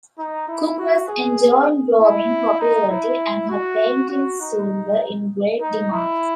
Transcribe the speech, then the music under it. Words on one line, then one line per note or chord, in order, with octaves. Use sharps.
Cook was enjoying growing popularity and her paintings soon were in great demand.
D#4
E4
F#4
G#4
E4
D#4
E4
F#4
F#4
D#4
D#4
E4